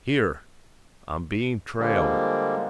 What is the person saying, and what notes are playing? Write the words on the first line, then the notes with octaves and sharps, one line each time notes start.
"Here, I'm being trailed."
D3 F3 G3 G#3 A#3